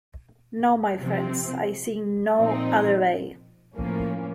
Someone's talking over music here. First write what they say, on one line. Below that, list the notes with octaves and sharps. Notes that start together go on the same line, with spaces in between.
No, my friends, I see no other way.
C3 F3 C4
A#2 F3 C4 D#4
A2 F3 A#3 C#4